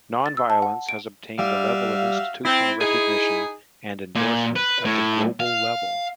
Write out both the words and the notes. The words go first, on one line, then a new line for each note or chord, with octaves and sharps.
Nonviolence has obtained a level of institutional recognition and endorsement at the global level.
A6
E6
A5
F#5
D7
G3 F#4 E5 F5
C4 E4
D#4 G#4
A#2
B4
A2
F5